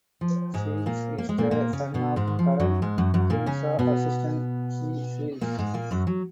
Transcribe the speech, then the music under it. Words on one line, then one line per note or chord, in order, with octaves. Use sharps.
Seals is the son of current Tulsa assistant Shea Seals.
F3
G#2 G#3
A#2 A#3
A#3
G#3
A#2 A#3
A#2 A#3
C#3 C#4
B2 B3
G#2 G#3
D#3
F3
F#2 F#3
G#2 G#3
F#2 F#3
F#2 F#3
A#2 A#3
C#3 C#4
B2 B3
A#2 A#3
G#2 G#3
A#2 A#3
F#2 F#3
F#3